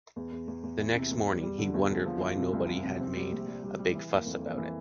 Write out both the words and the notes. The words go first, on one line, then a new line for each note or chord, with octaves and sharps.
The next morning, he wondered why nobody had made a big fuss about it.
E2
E2
E2
E2
E3
C3
E2
G3
G3
D3
E2
D3
F3
F3
C3
C2
F3
C3
C4
G3
A#1
G3
G3
G3
E3
A#3
F2
A#3
E3